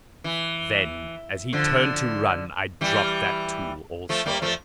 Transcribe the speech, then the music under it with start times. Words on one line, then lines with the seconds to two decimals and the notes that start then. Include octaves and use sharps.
Then, as he turned to run, I dropped that tool also.
0.24 E3
1.53 D3 F3
2.81 E3 G3
4.09 F3 A3
4.26 G3 A#3
4.42 F3 A3